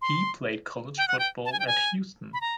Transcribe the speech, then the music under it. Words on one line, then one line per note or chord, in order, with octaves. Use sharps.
He played college football at Houston.
C6
G5
F#5
G5
A5
G#5
G5
G#5
B5
A#5